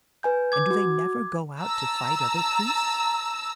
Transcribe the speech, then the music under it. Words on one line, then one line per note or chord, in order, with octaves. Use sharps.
"And do they never go out to fight other priests?"
B4 G#5 G6
D6 G#6
F#4
A5 A#5 E6